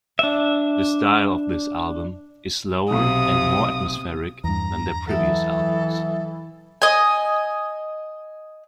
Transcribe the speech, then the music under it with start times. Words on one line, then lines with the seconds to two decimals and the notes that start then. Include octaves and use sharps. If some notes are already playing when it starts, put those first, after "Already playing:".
The style of this album is slower and more atmospheric than their previous albums.
0.19 D4 E5
2.91 B1 C3 F5 D#6
4.44 E2 G2 A#5
5.07 E3 F#3 A4 E5 D#6
6.82 D#5 G#5